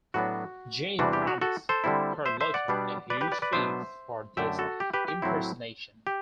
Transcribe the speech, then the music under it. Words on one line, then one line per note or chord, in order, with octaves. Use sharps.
Jane promised Carlotta a huge fee for this impersonation.
A2 F#3 B3 D4 F#4
E2 C3 E3 G3 D4 F#4
G4
F#4
F#4 A4
A4 C5
D3 G3 C4 E4
C5 E5
C5 E5
D5 F#5
B2 G3 B3 D4
B4 D5
G4 B4
B4 D5
B4 D5
B2 F#3 B3 D4 C5 E5
F#2 D3 A3 E5 G5
F#4 A4
G4
G4 B4
G4
A2 F#3 C4 E4
G4